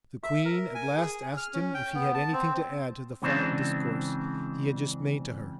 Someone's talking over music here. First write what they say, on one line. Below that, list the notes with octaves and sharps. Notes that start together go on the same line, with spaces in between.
The queen at last asked him if he had anything to add to the fine discourse he had just made to her.
E5
A#4
G#5
G#4
F6
C#4
G5
B3
A5
C4
G#2 C#3 E3 A#3 C4 D4